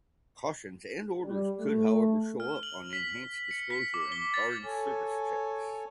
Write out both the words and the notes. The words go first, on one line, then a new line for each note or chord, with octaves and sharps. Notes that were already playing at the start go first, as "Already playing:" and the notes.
Cautions and orders could however show up on enhanced Disclosure and Barring Service checks.
G3
A3
F6
F#7
B6
C#7
B6
D6
G7
A6
A4 C#5 G#5